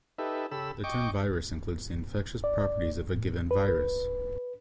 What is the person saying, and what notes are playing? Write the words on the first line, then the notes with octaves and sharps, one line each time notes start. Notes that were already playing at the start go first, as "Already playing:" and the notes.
The term virus includes the infectious properties of a given virus.
D#4 G4 A4 B4 E5
C#3 G4 A4 B5 E6
D#5 G5 C#6 D6
D5
A2
B4